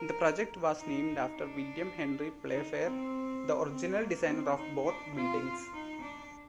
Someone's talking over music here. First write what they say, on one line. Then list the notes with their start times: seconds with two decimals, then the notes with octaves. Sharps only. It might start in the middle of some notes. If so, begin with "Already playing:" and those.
The project was named after William Henry Playfair, the original designer of both buildings.
Already playing: A#4
0.78 D#4
1.36 D4
2.53 D#4
2.82 C4
3.69 C4
3.99 A#3
4.28 C4
4.57 D#4
4.86 D4
5.15 F4
5.73 D#4
6.01 D4